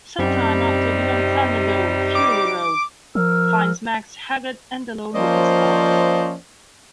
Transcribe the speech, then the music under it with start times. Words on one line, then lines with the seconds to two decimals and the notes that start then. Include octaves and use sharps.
Sometime after "Beyond Thunderdome", "Fury Road" finds Max haggard and alone with his car.
0.19 F#2 C3 G3 C4 D#4
2.15 D6
3.15 F3 A#4 E6 F6
5.14 F3 A#3 C#4 C5 D5 D#5